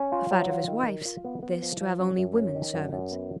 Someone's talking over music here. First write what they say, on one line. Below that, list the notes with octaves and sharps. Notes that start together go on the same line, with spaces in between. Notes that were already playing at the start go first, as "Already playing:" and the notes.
A fad of his wife's, this, to have only women servants.
Already playing: C#4
F4
F#3
F4
D#3
A#4
F4
B3
B3
F3
F3
C#4
F#2
C#4
D#3
F#2
F#2
B3